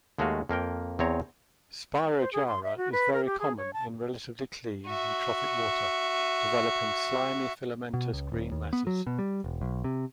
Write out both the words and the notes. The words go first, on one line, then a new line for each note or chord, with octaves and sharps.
"Spirogyra" is very common in relatively clean eutrophic water, developing slimy filamentous green masses.
D#2 G#3 A3 F#4 F5 G#5
F2 A#3 A#4 G5
E2 C4 C#5 A#5
C5
G#4
C6
E5
F#4
B4
A#4
G4
G#4
C#5
A5
F#4 E5
B2
C#2
D#1
D#2
B3
F#3
B2
G3
E1
B1
C3